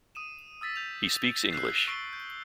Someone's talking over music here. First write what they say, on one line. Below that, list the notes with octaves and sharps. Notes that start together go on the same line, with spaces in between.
He speaks English.
D#6 D#7 E7
D#6 E6 A6 B6
G6 F7
E6 F#6 G6 C7
C#6 E6 C7 D7 G7
G6